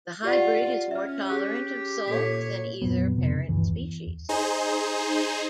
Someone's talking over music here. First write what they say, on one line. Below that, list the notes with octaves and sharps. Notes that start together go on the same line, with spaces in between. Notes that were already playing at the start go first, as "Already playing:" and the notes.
The hybrid is more tolerant of salt than either parent species.
F4 G4 D5 F#5
C#4 E5 F6
G4 G#4 F#6
A#2 A4 C#5 D6 B6
F2 A#2 F#3 B3
F2 C3 B3
C#3
D#1 D2 G2 E3
E2
D#4 G#4 C5